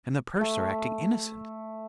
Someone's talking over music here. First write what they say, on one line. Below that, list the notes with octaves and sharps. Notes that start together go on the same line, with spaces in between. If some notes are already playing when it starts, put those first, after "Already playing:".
And the purser acting innocent?
A3